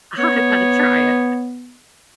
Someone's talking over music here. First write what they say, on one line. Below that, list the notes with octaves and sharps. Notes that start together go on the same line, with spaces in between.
I gotta try it.
B3 C#5